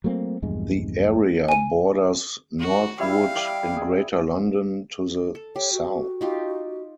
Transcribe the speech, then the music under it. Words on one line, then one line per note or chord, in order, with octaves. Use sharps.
The area borders Northwood in Greater London to the south.
F#3 A3 A#3 C4
A#1 E2 G2 G#3
G#5 D#7
F#4
G3 E4 E5 F5
D5 G5 B5
G#4
A4
G4 C#5
F#4
D#4 F4 G4